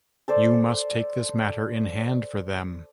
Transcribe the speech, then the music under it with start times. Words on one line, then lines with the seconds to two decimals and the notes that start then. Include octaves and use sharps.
You must take this matter in hand for them.
0.28 A4 C5 D5